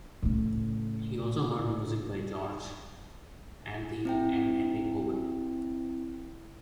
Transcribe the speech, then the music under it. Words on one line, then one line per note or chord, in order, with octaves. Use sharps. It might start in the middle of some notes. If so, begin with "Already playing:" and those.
He also heard music by George Antheil and Henry Cowell.
A2 C#3
C4 E4 G5